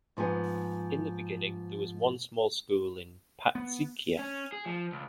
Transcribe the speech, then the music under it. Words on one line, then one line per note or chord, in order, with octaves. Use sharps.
In the beginning, there was one small school in Patzicia.
G#2 F3 B3 G#4
B3
C#4
G#4
F3
C#2